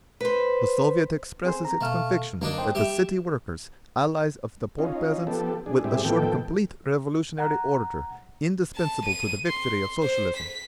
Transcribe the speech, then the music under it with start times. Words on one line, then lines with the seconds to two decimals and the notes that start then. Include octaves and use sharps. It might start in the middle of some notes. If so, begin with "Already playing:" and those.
The Soviet expresses its conviction that the city workers, allies of the poor peasants, will assure complete revolutionary order, indispensable to the victory of Socialism.
0.21 B4 C5
1.44 C4 G#4 C5
1.65 A#5
1.81 B2 A3 F5 F6
2.42 F#2 D3 A#3 D4 D#4
2.58 C5 G5
2.75 G3 G4 E5
4.79 C#4 D#4 F4
5.27 F3 B3 G4 A4
5.66 D4 G#4
5.84 A2 G3 C4 E4 G4 G#4
6.05 A2 D#3 F3 B3 A4 G5
7.38 F#5 A#5
8.75 A5
9.06 D#7
9.47 C6
10.02 C5
10.37 B6